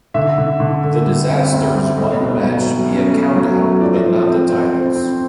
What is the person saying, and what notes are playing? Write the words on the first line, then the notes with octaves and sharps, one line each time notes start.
The Disasters won the match via count out but not the titles.
D3 E5
D3
D3
D3
G3
C4
D2
G3
A3 D#5
B2
F#3
F#3
C#4
A3
F#3
A3
F3 D5
F3
C4
C4
C4
C4